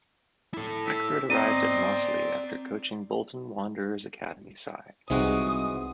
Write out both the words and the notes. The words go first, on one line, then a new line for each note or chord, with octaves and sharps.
Beckford arrived at Mossley after coaching Bolton Wanderers' Academy side.
E4 A4
E5
C4 D5 D#5 A#5 D#7
C2 E3 G3 G#3 C4 D#4 F#4 D#6